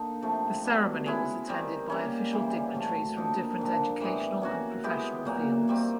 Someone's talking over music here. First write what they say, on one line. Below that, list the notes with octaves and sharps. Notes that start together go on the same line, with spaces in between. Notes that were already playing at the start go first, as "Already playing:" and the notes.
The ceremony was attended by official dignitaries from different educational and professional fields.
Already playing: D3 A#3 D#4
C3 F3 A3
B2 G3 B3
G#3 C#4 E4
D#3 G3 C4
G3 A#3 C#4
C#3 E3 G3
A2 F#3 A3 C4
D3 F3 A#3 D#4
A#2 F3 A#3 D4
A2 E3 G3 B3
A#3 C#4 F#4
G#3 B3 E4 G4
A#2 F#3 A#3
D#3 G3 C4